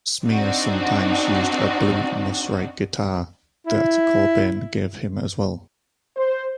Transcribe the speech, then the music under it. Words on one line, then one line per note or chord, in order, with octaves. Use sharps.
Smear sometimes used a blue Mosrite guitar that Cobain gave him as well.
C4 D4 D#4 F#4
E4
C5